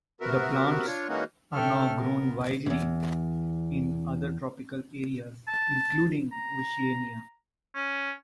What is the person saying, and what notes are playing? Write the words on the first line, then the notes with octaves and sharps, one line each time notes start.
The plants are now grown widely in other tropical areas, including Oceania.
C3 B3 F#4 A#4 E5
D4 F4 C#5
E3 G#3 A#3 C#4 D#4 F#4
D3 A4 C#5 E5 G5 F6
B3 A#4
E2 G#2
A5
A#5
C#4